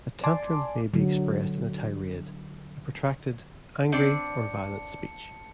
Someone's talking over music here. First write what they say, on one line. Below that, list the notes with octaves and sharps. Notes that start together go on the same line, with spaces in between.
A tantrum may be expressed in a tirade: a protracted, angry, or violent speech.
D5 G#5 A5 C6 D6
D3 F#3
C4 D4 D5 A5 C#7